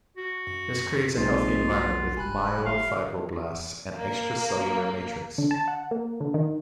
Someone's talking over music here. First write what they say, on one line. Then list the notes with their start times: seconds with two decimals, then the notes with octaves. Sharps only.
This creates a healthy environment with myofibroblasts and extracellular matrix.
0.17 F#4
0.47 F#2
1.17 B1 G#3 A#3 C4 D#4 F4
1.71 F#4
2.17 F1 G3 G#5 B5 F#6
2.66 G1 E5 F5 C6
3.96 A#3
5.38 D3
5.51 A5
5.68 F#5
5.91 A#3
6.20 D3
6.34 D#3